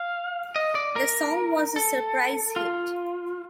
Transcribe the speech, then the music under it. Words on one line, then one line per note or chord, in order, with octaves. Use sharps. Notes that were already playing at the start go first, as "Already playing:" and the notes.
The song was a surprise hit.
Already playing: F5
D#5
D5
A#4
A4
F4